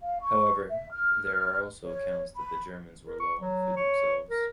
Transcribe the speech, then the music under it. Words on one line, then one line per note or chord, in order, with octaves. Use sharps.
However, there are also accounts that the Germans were low on food themselves.
F5
C#6
E5
F6
C#5
B5
A#4
C#6
F#3
C#5
A#4